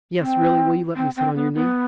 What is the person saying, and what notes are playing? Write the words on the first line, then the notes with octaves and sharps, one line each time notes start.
Yes, really, will you let me sit on your knee?
C4
C4
C4
B3
B3